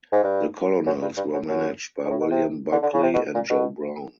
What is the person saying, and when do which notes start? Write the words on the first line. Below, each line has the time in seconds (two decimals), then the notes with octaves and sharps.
The Colonels were managed by William Buckley and Joe Brown.
0.12 G#2
0.24 G2
0.86 F#2
1.02 G2
1.17 G2
1.33 F#2
1.48 F#2
2.05 G#2
2.10 A2
2.20 B2
2.31 C3
2.72 D3
2.83 D3
2.93 C#3
3.03 C3
3.14 B2
3.34 A#2
3.50 B2